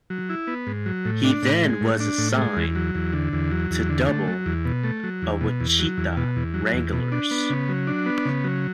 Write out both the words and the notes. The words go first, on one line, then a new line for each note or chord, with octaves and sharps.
He then was assigned to Double-A Wichita Wranglers.
F#3
E4
B3
G#2
F#3
A2
D4
A2
G#3
A2
D4
A2
G#3
E2
F#3
E2
D3
E2
F#3
E2
D3
A3
F#3
E2
B2
A3
F#3
E2
B2
E2
F#3
E2
B2
E2
F#3
E2
B2
D4
B3
C#3
F#3
D4
B3
C#3
F#3